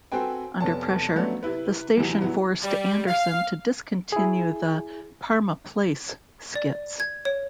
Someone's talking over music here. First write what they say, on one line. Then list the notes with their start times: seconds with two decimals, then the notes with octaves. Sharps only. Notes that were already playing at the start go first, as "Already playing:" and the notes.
Under pressure, the station forced Anderson to discontinue the "Parma Place" skits.
0.12 C4 F#4 A4 B4 G5 G#5
0.60 F1 B3 C#5 A5
1.15 F3 F#3 A3 B3 C#4 D4
1.43 C3 E4 B4
1.97 E2 A2 C3 E3 F#3
2.21 E3 F#3 G3 B3 F#4
2.62 G3
3.08 F5
4.12 E4 G#4
6.55 D5
7.00 G#6
7.25 C#5